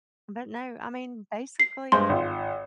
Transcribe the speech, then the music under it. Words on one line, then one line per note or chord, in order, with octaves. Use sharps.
But, no, I mean, basically,
C7
G2 G#3 C5 C6
G#1 F4